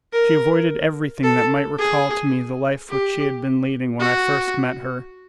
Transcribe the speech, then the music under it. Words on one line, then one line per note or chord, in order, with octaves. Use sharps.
She avoided everything that might recall to me the life which she had been leading when I first met her.
A#4
A4
G#4
G4
F#4